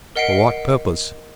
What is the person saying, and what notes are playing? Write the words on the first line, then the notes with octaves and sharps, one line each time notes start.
"For what purpose?"
A#4 D#5 F#5 B6 C7 D7